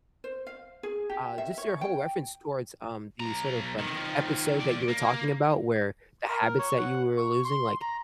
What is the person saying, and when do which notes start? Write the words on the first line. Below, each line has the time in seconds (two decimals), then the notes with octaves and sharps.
uh, just your whole reference towards, um, the sort of, like, episode that you were talking about where the habits that you were losing, like,
0.24 C5
0.47 F5
0.83 G#4
1.10 G4
1.38 E5
1.58 C#5
1.81 G5
3.20 B1 A#5
3.79 C3 D#3
3.94 D#3 F3
4.60 E2 D5
4.88 A#3
6.29 A#4
6.58 C#5
6.78 F#5
7.18 C#6
7.44 C6
7.81 A#5